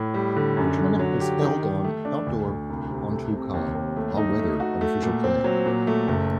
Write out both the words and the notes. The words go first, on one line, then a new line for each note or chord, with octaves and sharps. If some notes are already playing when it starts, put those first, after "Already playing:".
The tournament was held on outdoor En-tout-cas, "all-weather" artificial clay.
Already playing: A2
G3
D3
F#2
D3
F#3
G4
D#3
D#3
A3
D4
D2
D2
C2
C3
A3
C3
D#2
D#2
A3
D#4
A3
F#4
A3
A#2
C4
F#3
A#2
A3
F#1